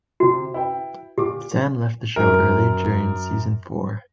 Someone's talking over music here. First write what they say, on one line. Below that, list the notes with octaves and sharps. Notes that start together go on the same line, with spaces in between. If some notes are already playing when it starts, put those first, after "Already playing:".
Sam left the show early during season four.
C3 E4 F#4
E4 B4 G5
A#2 G4 D6
F#2 A#4